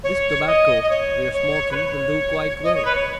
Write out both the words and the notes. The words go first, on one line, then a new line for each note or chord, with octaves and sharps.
This tobacco we're smoking will do quite well.
C#5
D#5
D#5
C#5
C#5
B4
C#5
D#5
C#5
B4
C#5